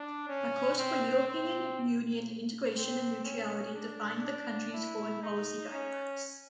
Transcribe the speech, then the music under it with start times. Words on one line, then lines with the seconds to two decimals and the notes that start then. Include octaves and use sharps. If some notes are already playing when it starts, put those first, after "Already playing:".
A course for European Union integration and neutrality define the country's foreign policy guidelines.
Already playing: D4
0.28 C#4
0.78 C4
1.27 C4
2.76 C4
3.24 C#4
3.74 D4
4.23 D4
4.73 E4
5.22 D#4
5.72 C#4